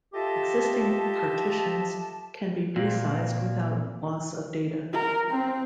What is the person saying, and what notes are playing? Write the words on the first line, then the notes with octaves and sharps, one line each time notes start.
Existing partitions can be resized without loss of data.
F4 G4 A4 D#5 E5 A5
A#2 C4
A#4
C4